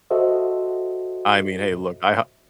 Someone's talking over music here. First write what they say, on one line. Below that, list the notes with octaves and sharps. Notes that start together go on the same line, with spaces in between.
I mean, hey look, I ho
F#4 A4 C5 D#5 E5